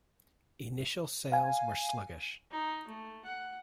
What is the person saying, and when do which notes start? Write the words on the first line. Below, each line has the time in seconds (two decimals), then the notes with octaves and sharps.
Initial sales were sluggish.
1.32 F5 G#5
2.51 D#4
2.87 A3
3.24 F#5